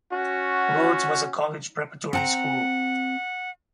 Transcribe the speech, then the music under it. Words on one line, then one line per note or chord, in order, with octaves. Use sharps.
Rhodes was a college preparatory school.
C#4 F#4
C4 F#5 A5 A#5